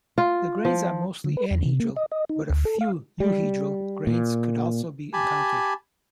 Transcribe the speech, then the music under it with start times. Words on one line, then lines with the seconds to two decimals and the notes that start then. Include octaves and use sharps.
The grains are mostly anhedral, but a few euhedral grains could also be encountered.
0.18 F4
0.65 F3
1.24 D3
1.37 B4
1.51 E2
1.66 C3
1.80 A#3
1.96 D#5
2.12 D#5
2.29 D#4
2.50 D2
2.65 A4
2.81 F5
3.20 G3
4.07 A#2
5.13 G4 G#5 A5 B5